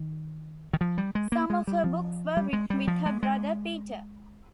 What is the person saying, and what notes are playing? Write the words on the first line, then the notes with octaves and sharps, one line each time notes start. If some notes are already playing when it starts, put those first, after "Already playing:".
Some of her books were written with her brother Peter.
Already playing: D#3
D#3
F3
G3
G#3
A#3
G#3
G3
F3
G3
G#3
G3
F3
G#3
G#3